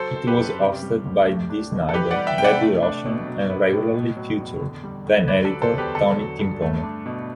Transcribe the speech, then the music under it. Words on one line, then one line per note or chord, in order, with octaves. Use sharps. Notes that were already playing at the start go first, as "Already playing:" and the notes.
It was hosted by Dee Snider, Debbie Rochon, and regularly featured then-editor Tony Timpone.
Already playing: F#3 A4 C5
C4
G4 B4
F#2
C3 G4
G3
D2
A3
D4
B2
A4
E3 G4 B4
D5 F#5
G3
E5 G5
C3 G5
D5 F#5
A3
D4
B2
F#3
B3
A2
B2
F#3
E2
D3
G3
D2
D3 B4 D5
A4
F#3
A4 C5
E2 G4 B4
D3 A4
F#3
G2
A3
D4
B2